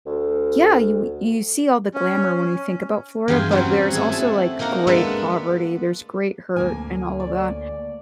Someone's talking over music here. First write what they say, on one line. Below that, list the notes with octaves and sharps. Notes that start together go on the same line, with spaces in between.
yeah, you w you see all the glamour when you think about Florida, but there's also, like, great poverty, there's great hurt and all of that.
D2
C#4
C#4
E2 G2 G4 F5 G#5 C6
F#3 G3 C4 C#4 F#4
A3 E4 G#4
E5 A5
A#3 D#4 A#4 F#5 A#5
G#3 A#3 B3 D4 A4 B4
D2 A#3 G#5
D5